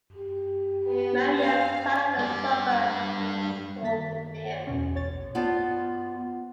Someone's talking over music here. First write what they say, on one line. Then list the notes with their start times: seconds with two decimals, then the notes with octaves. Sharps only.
Miriam sat on the sofa absorbed in him.
0.16 G4
0.88 B3
1.38 F5
2.19 G2 D5
3.82 D#3 A#3 A6 B6
4.67 E2 B2 C#4
4.95 A#1 C#5 A6
5.35 B3 F4 C5 D5 A5